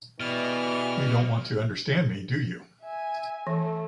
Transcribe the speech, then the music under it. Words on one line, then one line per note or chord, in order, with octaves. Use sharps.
You don’t want to understand me, do you?
B2 E3 G3 G#3 F6
E5 G#5
E3 A3